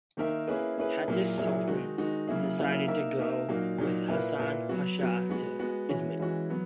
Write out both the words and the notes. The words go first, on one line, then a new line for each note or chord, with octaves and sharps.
Hatice Sultan decided to go with Hasan Pasha to Izmit.
D#3 A#3 D#4 A#4 E5
A#3 C#4 E4 G#4 B4
A#3 C#4 E4 G#4 B4
A#2 F#3 A#3 E4 G#4
A#2 F#3 A#3 E4 G#4
D#3 G#3 D#4 F#4
D#3 G#3 D#4 F#4
C#3 F#3 A#3 E4 G#4
C#3 F#3 A#3 E4 G#4
A#3 D#4 A#4 E5
A#3 D#4 A#4 E5
A#2 F#3 A#3 D#4 F#4
A#2 F#3 A#3 D#4 F#4
A#2 A#3 E4 B4
A#2 A#3 E4 B4
F#3 B3 F#4
F#3 B3 F#4
G#3 B3 F#4
G#3 B3 F#4
E3 G#3 C#4 F#4
E3 G#3 C#4 F#4
F#3 B3